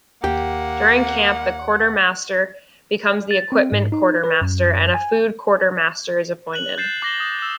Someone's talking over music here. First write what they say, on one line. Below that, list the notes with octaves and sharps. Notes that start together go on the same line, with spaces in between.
During camp, the quartermaster becomes the equipment quartermaster, and a food quartermaster is appointed.
D#2 A#3 G4 F#5
A6
C4
G#2
D#4
B4
F#2
G#5
F#6 F#7
G6 A6 C7 E7
D6 A#6 G7
D#6
E6 E7